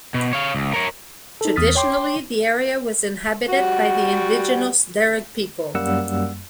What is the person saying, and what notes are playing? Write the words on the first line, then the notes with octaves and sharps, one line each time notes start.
Traditionally, the area was inhabited by the indigenous Dharug people.
B2
C#5 F5
C#2
A#4 C#5
D#4 A4
E2 D#6 F6 A6 B6
C#5 G5 C6 D6
G3 F#4 F#5
F#2 G3 A#3 F#5 E6